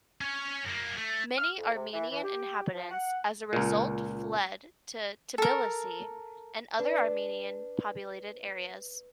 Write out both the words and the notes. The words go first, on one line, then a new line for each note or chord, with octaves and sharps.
Many Armenian inhabitants as a result fled to Tbilisi and other Armenian populated areas.
C#4 C#5
F#2 A#3
A3
F6
F2
C3
E3
E3
G4
F3
F#5
C#2 A#2
A4 A#4
D4 B4